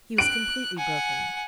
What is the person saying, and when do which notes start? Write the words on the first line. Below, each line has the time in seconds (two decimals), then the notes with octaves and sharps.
He was completely broken.
0.18 F#6 D7
0.78 F#5 G#5